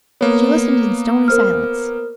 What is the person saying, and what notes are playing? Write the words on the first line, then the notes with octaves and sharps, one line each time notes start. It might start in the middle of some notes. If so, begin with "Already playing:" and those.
She listened in stony silence.
A#3 B3 C#5
A#4 C5 F6